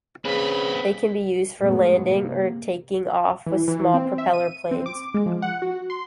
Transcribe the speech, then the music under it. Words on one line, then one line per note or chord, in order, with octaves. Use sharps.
They can be used for landing or taking off with small propeller planes.
C#3 C4 B4 B5
G2 A#2 F3 G#3 A3 B3
C3 A#3
E3
E3
C4
E5
D#7
C4
D6
G#3
F3
F#5
F#4
C6